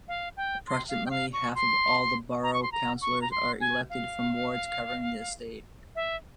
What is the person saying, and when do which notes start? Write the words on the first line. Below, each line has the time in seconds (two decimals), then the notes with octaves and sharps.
Approximately half of all the borough councillors are elected from wards covering the estate.
0.08 F5
0.37 G5
0.67 C6
0.89 F5
1.06 G5
1.10 F5
1.33 C#6
1.55 C6
2.43 A#5
2.53 C#6
2.63 C6
2.72 A#5
3.02 C#6
3.22 A#5
3.31 C6
3.60 G#5
3.90 F5
5.95 E5